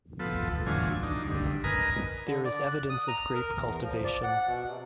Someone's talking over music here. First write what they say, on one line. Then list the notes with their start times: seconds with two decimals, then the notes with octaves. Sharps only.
There is evidence of grape cultivation.
0.19 F3 B3 A4
0.66 E2 A2 D3 F#3 F4 G#5
1.03 D4 D#4
1.27 G2 D3
1.64 A#4 B4 D#5 G#5 A#5
2.27 D3
2.45 D5
2.67 F#6
2.90 D#6
3.08 A#5
3.35 A#4
3.60 E2
3.81 F3
4.04 D5
4.23 F#5
4.47 B2
4.68 C3